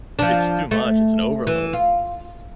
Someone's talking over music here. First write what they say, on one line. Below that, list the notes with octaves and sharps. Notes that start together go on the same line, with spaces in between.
It's too much, it's an overload.
F3 D4
A3
E3
F4